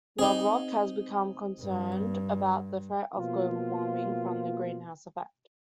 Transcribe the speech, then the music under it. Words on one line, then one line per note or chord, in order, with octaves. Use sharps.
Lovelock has become concerned about the threat of global warming from the greenhouse effect.
C4 D#4 G#4
G2
B2 F3 A#3 F4